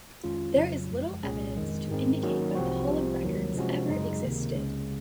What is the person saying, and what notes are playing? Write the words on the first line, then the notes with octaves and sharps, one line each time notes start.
There is little evidence to indicate that the Hall of Records ever existed.
F2 D#3 G#3 C#4 F4
F2 C#3 F#3
F#2 F3 G#3
C2 A#2 G#3 C#4 G#4
F2 D#3 G#3
G#2 D#3 G#3 C4
D#3 F#3 A#3 C#4 F#4
C2 C3 F3 C4 F#4
C2 C3 F3
D#2 D#3 F#3
C3 F3 G#3 C#4 F#4
F#2 C#3 G#3 D#4
C#2 C3 D#3 A#3
C#2 C#3 G#3 C#4